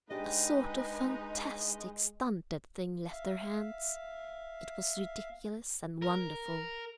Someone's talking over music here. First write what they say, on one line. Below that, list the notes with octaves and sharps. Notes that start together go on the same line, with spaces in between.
A sort of fantastic stunted thing left their hands; it was ridiculous and wonderful.
G#3 D4 D#4 G4 G#4 B4 D#5
E5 F5
A#4